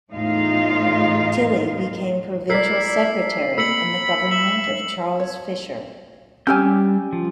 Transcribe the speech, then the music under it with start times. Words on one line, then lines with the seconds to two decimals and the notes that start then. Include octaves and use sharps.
Tilley became Provincial Secretary in the government of Charles Fisher.
0.11 E2 A2 D#4 F4 D#5 F5
2.50 E4 A#4 D5 E6 B6 C7
3.58 A#3 B5 E6 C#7 F#7
4.31 E5 F#7
5.20 C#5
6.47 G3 C#4 G4 G#5 E6 G6
7.13 F3